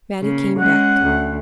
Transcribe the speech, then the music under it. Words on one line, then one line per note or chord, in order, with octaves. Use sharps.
Mattie came back.
C#3 A#3
G#3 C#4 F#5
D2